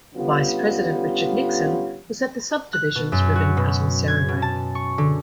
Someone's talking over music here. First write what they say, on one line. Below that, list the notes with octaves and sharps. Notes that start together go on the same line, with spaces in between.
Vice President Richard Nixon was at the subdivision's ribbon-cutting ceremony.
D3 G3 B3 C#4 F4
F#6
B2
F#2
F#4
B2
G#6
B2
A5
C#6
D3